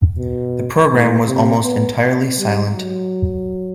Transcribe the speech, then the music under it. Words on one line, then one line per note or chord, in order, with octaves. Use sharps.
The programme was almost entirely silent.
B2
A2
C3
B3
G3
F#3